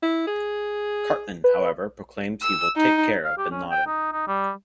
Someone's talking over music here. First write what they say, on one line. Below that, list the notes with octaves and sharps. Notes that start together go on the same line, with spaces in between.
Cartman, however, proclaims he will "take care" of Bin Laden.
E4
G#4
B4
E6
D#4
F5
G4
C#4
G5
D#4
D#4
G3